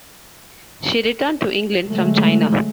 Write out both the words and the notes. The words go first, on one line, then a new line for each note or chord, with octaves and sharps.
She returned to England from China.
D3 F#3 G#3 A3